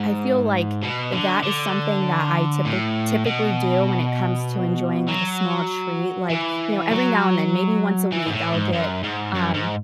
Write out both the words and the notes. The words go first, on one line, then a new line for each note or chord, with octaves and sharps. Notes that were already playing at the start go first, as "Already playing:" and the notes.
I feel like that is something that I typil typically do when it comes to enjoying, like, a small treat. Like, you know, every now and then, maybe once a week, I'll get, um,
Already playing: G#2
B2
D3
D3
A2
B2
F#3
E3
F#3
E3
G#2
A2
G#2
F#2
G#2
F#2
G#2